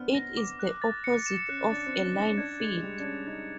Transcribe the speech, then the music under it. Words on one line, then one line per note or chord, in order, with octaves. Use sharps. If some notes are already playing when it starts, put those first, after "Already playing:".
It is the opposite of a line feed.
Already playing: B3 C4 D4 F6
A#6
D6
F#6
A6
C#7
E7
C#4 F#6
D4 A6
C4
C#4 C#7
D#4 E7
C#4
D4 G#6
G#3 C#7
G#3
G3 F7
D4
C#4 G#6
D#4 G#6